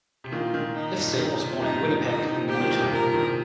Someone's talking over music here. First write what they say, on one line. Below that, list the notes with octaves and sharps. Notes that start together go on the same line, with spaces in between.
Livesay was born in Winnipeg, Manitoba.
C3
A#2 D#3 F4
A#2 D#3
D#4
G2
A#2
C3
A#2 D#3
C3 F3
A#2
G2 C3 D#4
F3
A#2 D#3
C3 F3 D#4
D#3
C3 F3
C3 F3 G4
A#2 D#3
A#2 D#3
G2 C3
A#2 A#4
C3 F3
A#2 D#3
C3